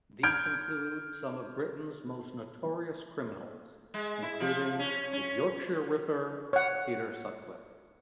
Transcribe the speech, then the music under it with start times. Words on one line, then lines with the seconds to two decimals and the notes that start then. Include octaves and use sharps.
These include some of Britain's most notorious criminals, including the "Yorkshire Ripper" Peter Sutcliffe.
0.23 F6 G6 G#6 D7
3.94 G#3
4.22 E4
4.40 F3
4.79 C#4
5.13 C#4
6.53 C#5 F#5